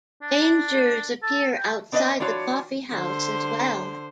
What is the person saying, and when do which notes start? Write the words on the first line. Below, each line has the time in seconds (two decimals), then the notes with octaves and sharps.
Dangers appear outside the coffee house as well.
0.22 D4
1.23 A4
1.57 G5
1.92 B3 D4 B4 C#5 D#5 E5
2.20 E3 D4 F4 F#4 B4 C#5
2.93 D3 C5